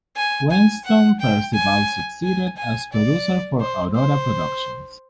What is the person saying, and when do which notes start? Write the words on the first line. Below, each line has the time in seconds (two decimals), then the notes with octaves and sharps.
Weston Perceval succeeds as producer for Aurora Productions.
0.16 G#5
0.50 G#5
0.85 F#5
1.20 G5
1.53 G#5
2.23 G#5
2.57 G#5
2.92 D5
3.60 C5
3.95 C5